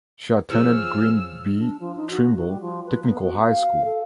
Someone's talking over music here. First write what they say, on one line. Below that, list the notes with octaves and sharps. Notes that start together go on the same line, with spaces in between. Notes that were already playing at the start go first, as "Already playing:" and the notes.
She attended Green B. Trimble Technical High School.
F3 G#4 C#5 E6 F6
D4
F3
D#4
F#4
F#4
G3
F3
B4
B3
F#4
F5
A4